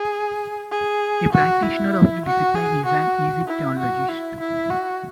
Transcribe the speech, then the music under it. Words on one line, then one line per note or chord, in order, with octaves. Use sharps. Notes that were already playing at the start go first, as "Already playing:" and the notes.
A practitioner of the discipline is an "Egyptologist".
Already playing: G#4
G#4
F#4
E4
F#4
G#4
F#4
E4
F#4
E4
E4
F#4